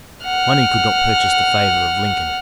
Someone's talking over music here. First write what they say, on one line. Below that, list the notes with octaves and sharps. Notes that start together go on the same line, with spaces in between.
Money could not purchase the favor of Lincoln.
F#5 F6